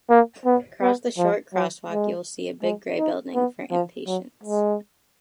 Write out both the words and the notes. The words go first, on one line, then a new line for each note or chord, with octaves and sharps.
Across the short crosswalk, you will see a big grey building for inpatients.
A#3
B3
B3
F3
F#3
G#3
G#3
D#4
B3
F3
F#3
G#3